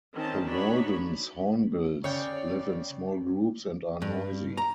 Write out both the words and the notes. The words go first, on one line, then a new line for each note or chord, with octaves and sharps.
The Walden's hornbills live in small groups and are noisy.
D#3 C4 C#4 D#5 A5
D4 D#4 F#4 C#5 B5
C#3 C#5 D5 G5
G2
A#5